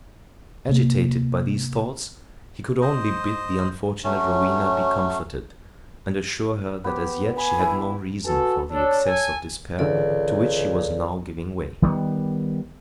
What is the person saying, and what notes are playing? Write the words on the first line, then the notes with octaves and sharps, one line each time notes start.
Agitated by these thoughts, he could only bid the unfortunate Rowena be comforted, and assure her, that as yet she had no reason for the excess of despair to which she was now giving way.
C3 A#3
C5 D#5
F#3 A3 C#4
B3 G4
G#5 B5
E4
F#4 A4 B4 G#5
D4 A4 C#5
A4 G#5
C#2 G#2 D3 E3 A4 D5
D#3 G3 G#3 B3